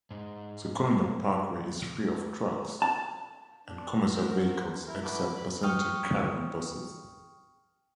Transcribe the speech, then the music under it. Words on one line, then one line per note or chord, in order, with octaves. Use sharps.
The Colonial Parkway is free of trucks and commercial vehicles except passenger-carrying buses.
G#2
A5
D4
F#4 A#4 C5
E4 A#4
A3 E4 F#4 B4 D6
B5
G5 C#6 D#6 F6